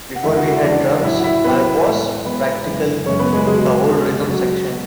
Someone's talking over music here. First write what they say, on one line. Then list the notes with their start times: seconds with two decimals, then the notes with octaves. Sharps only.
Before we had drums, I was practically the whole rhythm section.
0.16 F#5
0.23 E2 C#3 E3 G#3 E4 E5
0.37 F#4 F#5
0.50 E4 E5
0.63 E2 C#3 E3 G#3 D4 D5
1.03 A2 F#3 E4 E5
1.19 F#5
1.24 E4 E5
1.44 A2 F#3 B3 B4
1.85 A2 E3 G#3
2.25 A2 E3 G#3 B3 B4
2.66 F#2 C#3 E3 G#3
3.06 F#2 C#3 E3 G#3 C#4 C#5
3.19 B3 B4
3.33 G#3 G#4
3.46 C#2 B2 F#3 G#3 G#4
3.88 C#2 B2 F#3
4.27 C#2 B2 F#3 G#3 F#4
4.70 B2